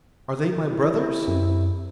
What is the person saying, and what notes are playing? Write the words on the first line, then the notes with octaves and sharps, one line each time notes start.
"Are they my brothers?"
C3 E4
F#2